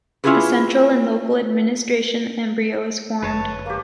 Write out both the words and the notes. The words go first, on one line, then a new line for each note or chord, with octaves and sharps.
A central and local administration embryo is formed.
C#4 E4 F4 G4 G#4 B4
G1 F#2 D3 B4 C#5 A5
A#3 G4